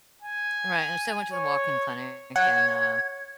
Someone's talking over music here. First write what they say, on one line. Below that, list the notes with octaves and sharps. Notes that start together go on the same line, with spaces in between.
And, right, and so I went to the walk-in clinic and, uh
G#5
C#5
C#5 F#5 G#6